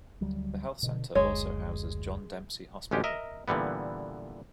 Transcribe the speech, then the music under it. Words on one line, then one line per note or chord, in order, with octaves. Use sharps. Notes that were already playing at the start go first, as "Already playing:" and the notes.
The Health Center also houses John Dempsey Hospital.
D2 F#3 G3
B2 D3
F#1 D2 G#3 C#5
A1 D2 G#3 C#4 G4
A#4 D#5 E5
A#2 D3 E3 G3 B3